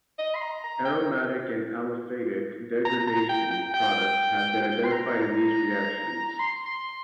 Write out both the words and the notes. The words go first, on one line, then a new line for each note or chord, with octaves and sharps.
Aromatic and aliphatic degradation products have been identified in these reactions.
D#5
C6
A#5
A#5
G5
A#5
A#5
G5
G5
G5
G5
C6
A#5
A#5
C6
C6